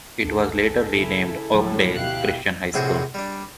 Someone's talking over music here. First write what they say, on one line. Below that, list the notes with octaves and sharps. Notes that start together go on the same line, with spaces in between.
It was later renamed Oakdale Christian High School.
A1 D#2 D4 G#4 A4
C#3 E4
D2 A2 F3 F#3 A3
B2 E4 G4 F5 F#6
A#1 A2 C3 F#4 G#4 C5
G3 D4